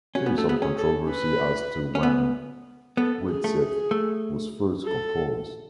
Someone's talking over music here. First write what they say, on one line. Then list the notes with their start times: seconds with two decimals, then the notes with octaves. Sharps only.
There is some controversy as to when "Widsith" was first composed.
0.15 C#4 F#4
0.26 B3
0.38 A3
0.46 B3 G#4
0.62 C#4
0.77 A4
1.09 B4
1.95 C#4
2.03 B3
2.97 B3 A4
3.28 G#4
3.44 A3
3.60 G#4
3.91 A3
4.85 A4